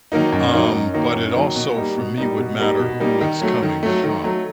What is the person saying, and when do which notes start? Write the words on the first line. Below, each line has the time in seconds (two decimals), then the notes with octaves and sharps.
Um, but it also for me would matter who it's coming from.
0.12 D#3 F#3 A#3 D#4
0.32 F#2
0.53 D#3 F#3 A#3 D#4
0.73 F#2
0.94 D#3 F#3 A#3 D#4
1.15 F#2
1.36 D#3 F#3 A#3 D#4
1.56 B2
1.77 G3 A#3 D#4
1.97 B2
2.18 G3 A#3 D#4
2.38 B2
2.59 G3 A#3 D#4
2.80 B2
3.00 G3 A#3 D#4
3.21 D#3
3.42 F#3 A3
3.62 D#3
3.83 F#3 A3
4.04 D#3
4.24 F#3 A3